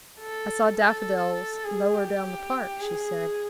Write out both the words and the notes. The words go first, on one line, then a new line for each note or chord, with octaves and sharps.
"I saw daffodils lower down the park," she said.
A4
A4
G#4
G4
G#4